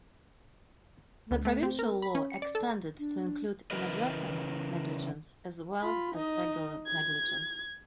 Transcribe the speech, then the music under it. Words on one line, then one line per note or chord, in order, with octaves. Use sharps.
The provincial law extended to include "inadvertent negligence" as well as regular negligence.
D2
A3
C4
A#4
B5
C#4
C#7
D5
A4
D4
C#3 E3 A#4 B4 D#5
F4 B5
D#4 D#5
G#6